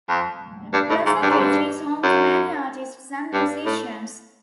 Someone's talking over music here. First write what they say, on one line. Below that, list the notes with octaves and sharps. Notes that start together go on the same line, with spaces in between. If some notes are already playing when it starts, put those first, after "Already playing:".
Pleasant Ridge is home to many artists and musicians.
F2
G2
A2
G#2
G2
G#2
G2
F#2
G2
A2